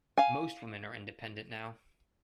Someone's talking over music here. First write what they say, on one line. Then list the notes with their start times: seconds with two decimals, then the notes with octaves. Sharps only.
Most women are independent now.
0.17 F5 G#5